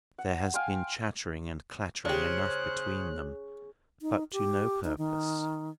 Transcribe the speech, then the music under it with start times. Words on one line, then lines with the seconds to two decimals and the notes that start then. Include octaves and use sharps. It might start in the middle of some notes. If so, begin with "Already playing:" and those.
There has been chattering and clattering enough between them, but to no purpose.
0.18 F#5
0.54 F5 G5 G#5 C6
2.05 C#3 D4 G4 C5 F#6
4.02 D#4
4.32 G4
4.84 D#4
4.98 D#3